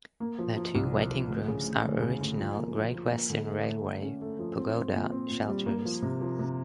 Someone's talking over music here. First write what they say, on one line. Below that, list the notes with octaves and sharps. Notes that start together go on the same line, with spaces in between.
The two waiting rooms are original Great Western Railway "pagoda" shelters.
A#3
F3
F3
C2
F3
F3
D2
C#3
D2
D2
C#3
D2
F3
A#3
F3
F3
A#3
D3
A3
A3
A3
C#4
A3
F3
C4
C4
A#2
C4
A#2
G3
A#3
F3
C3
F3
C3